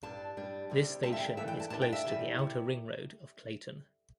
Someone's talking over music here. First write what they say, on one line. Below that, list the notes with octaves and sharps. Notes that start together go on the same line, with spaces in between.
This station is close to the outer ring road of Klaten.
G2 G3 D4 A5
G2 G3 D4
D2 C3 G3 C4
D2 C3 G3 C4 A5
E5
G5
G2 E3 A3 D4 E5
G5
A5
G2 E3 A3 D4 A5
G5
E5
D2 C3 E3 G3
C3